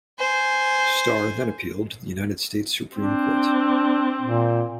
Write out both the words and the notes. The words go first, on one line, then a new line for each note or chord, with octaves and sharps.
Starr then appealed to the United States Supreme Court.
C5 G#5
C4 D4
A#2